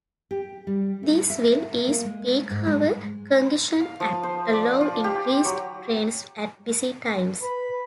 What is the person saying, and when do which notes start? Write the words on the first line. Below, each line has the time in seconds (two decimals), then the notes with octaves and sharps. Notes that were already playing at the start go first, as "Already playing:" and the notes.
These will ease peak-hour congestion and allow increased trains at busy times.
0.31 G4
0.67 G3
1.03 A3
1.30 E5
1.88 A#3
2.05 G#3
2.50 G#2
2.67 G#3
3.80 F5
4.00 F3
4.23 C5
4.53 D5
4.81 F4
5.04 G4
5.45 F#3
7.42 B4 B5